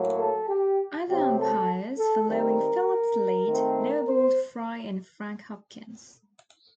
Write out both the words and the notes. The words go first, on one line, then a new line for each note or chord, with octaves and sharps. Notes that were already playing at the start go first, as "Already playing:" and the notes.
Other umpires, following Phillips' lead, no-balled Fry and Frank Hopkins.
Already playing: A2 F#3 A#3
A4
G4
C3 F#3 C4 G4
A4
A4
D#3 G3 C4 A#4
D#3 A3 C4
C5